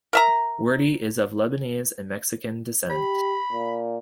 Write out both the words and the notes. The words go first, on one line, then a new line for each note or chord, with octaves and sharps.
Wardy is of Lebanese and Mexican descent.
A#4 E5 A#5
G4 B5
A#2